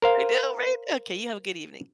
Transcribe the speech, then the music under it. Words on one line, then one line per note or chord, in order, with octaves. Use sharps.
I know, right? Okay, you have a good evening.
A#4 C5 F5